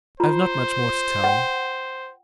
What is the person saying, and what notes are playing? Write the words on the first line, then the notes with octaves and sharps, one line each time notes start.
I have not much more to tell.
F4 C5 A#5
F#5 G5